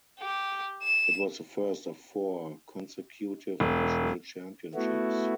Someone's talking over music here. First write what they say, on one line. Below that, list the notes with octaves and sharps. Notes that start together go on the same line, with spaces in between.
It was the first of four consecutive national championships.
G4
E7
E1
A3 B3 E4 F#4